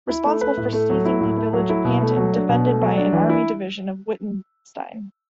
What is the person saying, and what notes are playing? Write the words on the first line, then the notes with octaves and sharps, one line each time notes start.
Responsible for seizing the village of Pantin, defended by an army division of Wittgenstein.
E4
A3
B4
A2
A3
F#3
E4
A2
A3
F#3
E4
B2
A3
F#3
D4
B2
A3
F#3
D4
E3
E4